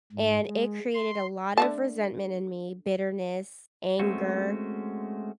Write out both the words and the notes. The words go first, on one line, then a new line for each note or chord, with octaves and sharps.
And it created a lot of resentment in me, bitterness, anger.
G#2
G#3
C6
D3 A3 A5
G#3 A3 C4 C#4 F#4